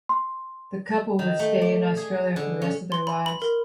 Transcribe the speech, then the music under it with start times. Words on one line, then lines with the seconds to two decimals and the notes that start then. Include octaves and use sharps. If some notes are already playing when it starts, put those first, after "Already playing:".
The couple would stay in Australia for the rest of their lives.
0.09 C6
1.19 D#3
1.39 A3
1.62 D5
1.97 G#4
2.36 D3
2.62 C#4
2.92 C6
3.07 B5
3.26 B5
3.42 A#4